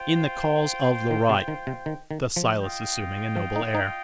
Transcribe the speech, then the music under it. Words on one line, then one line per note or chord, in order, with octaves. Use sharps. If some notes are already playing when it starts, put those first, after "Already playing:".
In the cause of the right.' Thus Silas assuming a noble air.
Already playing: F4 C5 G5
D#3
C3
D#3
C3
D#3
D#3
F3
F4 D#5 G5
F3
D#4
D#4